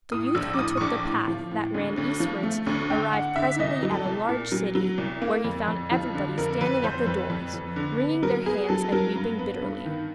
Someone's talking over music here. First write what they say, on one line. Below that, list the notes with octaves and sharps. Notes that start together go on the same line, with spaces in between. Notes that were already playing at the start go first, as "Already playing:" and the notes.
The youth who took the path that ran eastwards arrived presently at a large city, where he found everybody standing at the doors, wringing their hands and weeping bitterly.
A2 D#6
A#1 E6
D6
A2 D#6
C#6
A#1 D6
A2
F3
A2
D2
D2
F3
A3
D2 C#6
D3 G5
D3 F#5
D3 E5
C2 D#5
F#3
A4
C2
A#2
F#3
F#3
C2
A#3
F2
F2
F3
D3
F2 A#4
F2 B4
F2 C5
F2 B4
F2
F2
D3
B3
F#3 A#4
B3 G#4
F#3 A4
F#3 A#4
G2
B3
G2
D#3